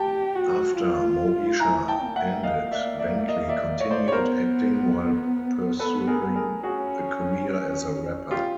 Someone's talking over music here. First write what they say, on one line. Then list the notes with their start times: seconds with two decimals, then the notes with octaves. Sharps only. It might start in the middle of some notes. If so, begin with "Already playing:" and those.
After "Moesha" ended, Bentley continued acting while pursuing a career as a rapper.
Already playing: G4 G5 A5
0.35 F#4
0.76 F4
1.60 E4 G#5 A#5
1.88 G5 A5
2.03 A#3
2.16 E5 F#5
2.44 D#5 F5
2.67 F5
2.71 D5 E5
2.99 D5 E5
3.27 D#5 F5
3.49 D5 E5
3.80 C#5
3.91 C5 D5
4.08 C#5
4.12 B3 A#4 C5
5.79 B3 A4 B4
6.07 G#4 A#4
6.35 G#4 A#4
6.63 C#4 F#4 G#4
8.31 F4 G4